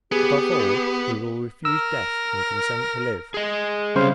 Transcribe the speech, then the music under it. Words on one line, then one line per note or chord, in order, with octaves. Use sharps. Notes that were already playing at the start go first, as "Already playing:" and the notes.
Above all, we will refuse death and consent to live.
B3 G4 G#4
A#4 E6
G#4 D#5
C#3 G3 C4 C5 F5